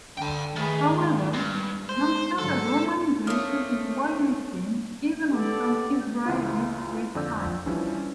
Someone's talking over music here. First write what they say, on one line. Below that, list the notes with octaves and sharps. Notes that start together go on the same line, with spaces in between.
However, non-standard romanization is widely seen, even on some Israeli street signs.
D3 G5 A5
D#3 A3 G#4 B4
G#2
G2
G#3 C5
G#2 D3 F#3 A4
A3 A#3 C4 D4 C#5 D#6 F6
B3 G4 A4 D5
C#2 E3 E4 F4
F2 D3 D5 E6 G6
E3 F3 G3 C#4 D4
C#4